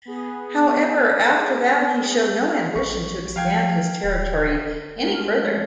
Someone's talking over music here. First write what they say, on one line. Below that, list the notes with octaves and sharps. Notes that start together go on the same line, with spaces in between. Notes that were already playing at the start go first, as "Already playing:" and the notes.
However, after that he showed no ambition to expand his territory any further.
B3 G#4
A1 C#6
F3 F5 G5 G#6
D1
G#3 A3 A#4